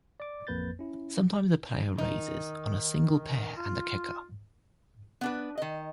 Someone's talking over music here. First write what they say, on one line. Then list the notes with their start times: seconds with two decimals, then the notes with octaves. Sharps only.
Sometimes a player raises on a single pair and a kicker.
0.20 D5 D6
0.47 A1 F2 A#3 B4 G6 A6
0.79 C#4 E4
1.98 D#3 D#4
3.57 F4
5.21 B3 D4 B4
5.58 D#3 D#5